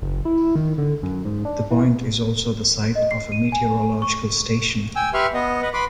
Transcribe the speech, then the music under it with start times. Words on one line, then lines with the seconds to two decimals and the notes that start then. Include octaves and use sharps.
The point is also the site of a meteorological station.
0.02 F#1
0.25 E4
0.56 D#3
0.78 D3
1.03 F#2
1.25 G#2
1.45 D4
1.70 E3
2.95 D#5
3.11 C7
3.32 D#7
3.52 G#5
4.02 C#6
4.96 G5 G#5 E6
5.14 G4 B4 E5 C6 C#6 F6
5.34 B3 D#5
5.62 B4 D#5
5.73 B4 B5 C6 D6